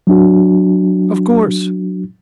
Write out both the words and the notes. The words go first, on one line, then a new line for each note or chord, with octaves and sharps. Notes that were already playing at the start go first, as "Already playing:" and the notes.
"Of course."
F#3 D4 F#4